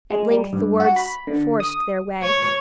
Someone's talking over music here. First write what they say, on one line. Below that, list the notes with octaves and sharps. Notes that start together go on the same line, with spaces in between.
At length the words forced their way.
G#3
G3
G2
F#4
B5
D3
D#6
C#5